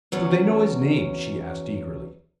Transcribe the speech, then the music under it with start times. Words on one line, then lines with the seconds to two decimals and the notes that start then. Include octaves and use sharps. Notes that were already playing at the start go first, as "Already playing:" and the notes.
"Do they know his name?" she asked eagerly.
0.12 E2 F#3 C#4